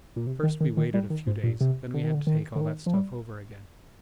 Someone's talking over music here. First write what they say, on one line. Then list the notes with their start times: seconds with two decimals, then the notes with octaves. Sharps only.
First we waited a few days; then we had to take all that stuff over again.
0.16 A#2
0.27 C3
0.43 D#3
0.61 D#3
0.77 D#3
0.94 G3
1.10 D#3
1.27 G#2
1.43 A#2
1.61 C3
1.94 D3
2.04 D#3
2.14 D3
2.27 D#3
2.56 D3
2.61 D#3
2.86 F3
2.94 G3